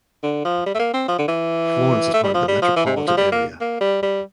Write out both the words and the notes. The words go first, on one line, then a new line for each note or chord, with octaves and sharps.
Florence is part of the metropolitan area.
D3
F3
G3
A3
A#3
C4
F3
D3
E3
A3
G3
F3
G3
F3
E3
C3
D3
F3
G3
A#3
A#3
G3
G3